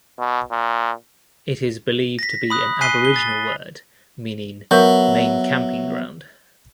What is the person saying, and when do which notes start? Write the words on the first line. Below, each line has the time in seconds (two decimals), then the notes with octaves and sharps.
It is believed to be an Aboriginal word meaning "main camping ground".
0.19 B2
0.51 A#2
2.19 A#6 B6
2.50 B5 D#6 F#6
2.81 G#5 F#6 B6 C7 D#7 G7
3.05 G7
3.16 A6
4.71 F#3 B3 A#4 E5 C#6 G6